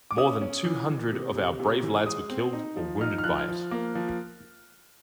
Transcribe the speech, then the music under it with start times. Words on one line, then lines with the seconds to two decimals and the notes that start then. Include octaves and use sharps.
More than two hundred of our brave lads were killed or wounded by it.
0.11 D6
0.18 C#4 D#6
0.41 C#4
0.65 E3
0.89 E3
1.12 C3
1.35 C3
1.60 C3
1.83 E3
2.06 G#3 D#6
2.30 C4
2.53 D#4
2.77 F3
3.01 D#4 F6
3.18 F6
3.24 F3 F#6
3.36 F6
3.48 F3
3.71 A#3
3.95 F3